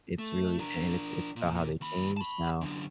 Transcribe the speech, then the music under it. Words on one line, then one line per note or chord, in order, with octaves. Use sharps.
it's really and it's it's about how they change now,
A3
D4 A#4
A#2
D#2 B5
A5 B5
F#2 D3